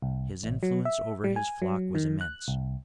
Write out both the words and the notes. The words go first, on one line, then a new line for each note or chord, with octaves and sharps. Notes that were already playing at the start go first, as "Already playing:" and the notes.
His influence over his flock was immense.
C2
A1
F#3
E5
G3
G#5
F#3
D#3
F#6
C2